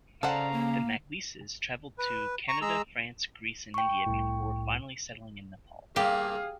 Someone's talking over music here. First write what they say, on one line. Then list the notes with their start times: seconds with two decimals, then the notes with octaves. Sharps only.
The MacLises travelled to Canada, France, Greece and India, before finally settling in Nepal.
0.23 C#3 A4 C5 D5 F5 F#5 A#5
0.52 A#3
1.98 B4
2.48 A#5 C#6
2.62 G#3 G#4 A#5 E6
3.74 G5 C#6
4.06 C2 A2
5.96 G2 A#3 G4 G#4 F5